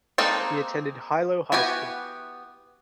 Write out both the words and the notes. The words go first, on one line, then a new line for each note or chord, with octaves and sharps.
He attended Hilo High school.
G#3 A#3 C4 D#4 A4
B3 E4 F#4 G4 G#5